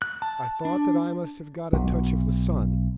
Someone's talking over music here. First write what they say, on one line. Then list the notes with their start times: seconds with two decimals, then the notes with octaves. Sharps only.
I thought that I must have got a touch of the sun.
0.02 F#6
0.22 A5
0.65 D4
1.73 B1